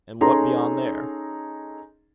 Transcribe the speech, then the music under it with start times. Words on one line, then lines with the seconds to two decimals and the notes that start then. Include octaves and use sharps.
"And what beyond there?"
0.21 C#4 D#4 G#4 A4 A#5 C6